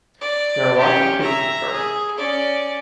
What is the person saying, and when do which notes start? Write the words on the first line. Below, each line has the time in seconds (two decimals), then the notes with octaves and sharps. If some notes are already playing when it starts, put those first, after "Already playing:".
There are lots of kids in the garden.
0.21 D5
0.77 C#4 G4
1.21 E5 A#5
1.71 G#4
2.17 C#4 D5